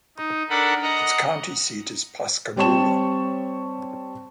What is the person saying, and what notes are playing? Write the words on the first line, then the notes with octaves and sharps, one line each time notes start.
Its county seat is Pascagoula.
D#4
D4 A4 A#4 F#5 B5
D#5 F#5 A#5
G3 C4 C#5 A5 C#6 E7